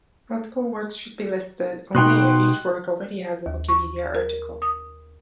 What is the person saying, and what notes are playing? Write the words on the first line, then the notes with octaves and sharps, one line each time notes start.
Multiple works should be listed only if each work already has a Wikipedia article.
B2 B3 D#4 G5 C6 F#6
D#2
C#6
A#4
D#6